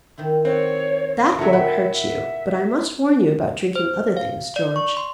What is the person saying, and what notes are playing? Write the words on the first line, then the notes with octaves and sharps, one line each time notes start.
'That won't hurt you; but I must warn you about drinking other things, George.
D#3 C4 E4
C4 C#5 F#5
B2 D3 F#3 E4 A4 E5
A#2 E4 F#5 G5 B5
E5
C5
F5
D5
C#6
C6